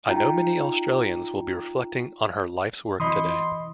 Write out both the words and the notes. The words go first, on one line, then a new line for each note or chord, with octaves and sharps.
I know many Australians will be reflecting on her life's work today.
D#4 F4 G5 A#5
E3 D#5 B5 C6 D#6